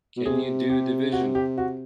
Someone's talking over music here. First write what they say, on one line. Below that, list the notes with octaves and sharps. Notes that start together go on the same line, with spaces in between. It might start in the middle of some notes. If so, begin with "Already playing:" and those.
Can you do division?
B2
C3 G#4
G4
F#4
G4
F#4